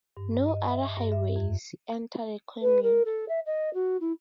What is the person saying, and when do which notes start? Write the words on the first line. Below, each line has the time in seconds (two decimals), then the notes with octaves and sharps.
No other highways enter the commune.
0.17 G2
0.49 D#5
0.70 E5
0.97 G2
1.12 E5
1.36 F2
2.61 B4
2.83 A#4
3.05 A4
3.28 E5
3.45 D#5
3.73 F#4
4.00 E4